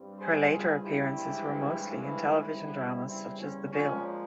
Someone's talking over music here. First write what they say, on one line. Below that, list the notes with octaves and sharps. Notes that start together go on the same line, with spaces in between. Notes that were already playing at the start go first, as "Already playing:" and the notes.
Her later appearances were mostly in television dramas such as "The Bill".
Already playing: G2 G3 C4
G#4 C5
F4 G#4
E4 G4
G2 E3 G#3 C4
C4 E4
E2 C#3 G3 C4
C4 E4
C#4
A#2 F3 G#3 C4 C#4